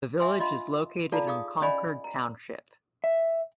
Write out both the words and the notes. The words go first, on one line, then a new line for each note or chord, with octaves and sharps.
The village is located in Concord Township.
E5 G#5 C6
D4 F4 D#5 F5 C6
F4 A4 D5 F5 A5 A#5
D#4 G#4 F5 D6 D#6
C#4 D5 D#5 F5 G#5 B5
A#5
E5